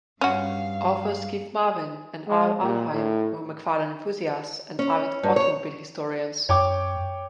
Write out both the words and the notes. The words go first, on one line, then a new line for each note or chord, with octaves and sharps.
Authors Keith Marvin and Al Arnheim were McFarlan enthusiasts and avid automobile historians.
G2 C#4 F#4 F5
G#3
A#2
A2
C#4
G2
C#5
F#2 C#5 G5 D6